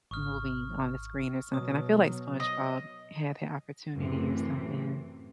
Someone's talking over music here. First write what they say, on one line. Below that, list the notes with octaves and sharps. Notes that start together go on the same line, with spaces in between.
moving on the screen or something; I feel like SpongeBob had ha opportunity or something.
G#1 C#6 D#6 F6
B2 F#3 C#5 D#6
D#5
F#2 A2 C3 E3